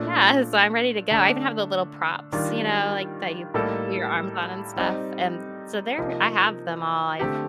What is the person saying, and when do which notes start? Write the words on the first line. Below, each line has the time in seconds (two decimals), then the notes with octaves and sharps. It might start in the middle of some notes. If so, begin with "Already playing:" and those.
yeah. So I'm ready to go. I even have the little props, you know, like, that you put your arms on and stuff. And so there I have them all. I've,
Already playing: A#2 A3 D4
1.11 D3 A3 D4
2.32 D#3 G3 D4 F4
3.54 A2 G3 A#3 D#4 A4
4.76 G3 C4 D#4
5.98 C3 F3 A#3 D#4
7.19 D3 A3 C4 G4